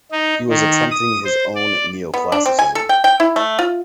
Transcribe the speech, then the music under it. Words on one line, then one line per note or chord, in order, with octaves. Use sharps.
He was attempting his own neo-classicism.
D#4
D#3
D#6
C5
D5
B3
D4
C4
G#5
A4
G5
G5
E4
A3
F4